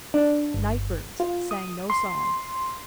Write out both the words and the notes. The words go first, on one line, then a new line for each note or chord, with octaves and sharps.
Nightbirds sang no songs.
D4
G1
F4
D#6
C6